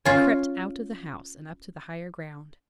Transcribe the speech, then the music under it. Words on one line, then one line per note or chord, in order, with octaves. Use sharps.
I crept out of the house, and up to the higher ground.
C#4 F4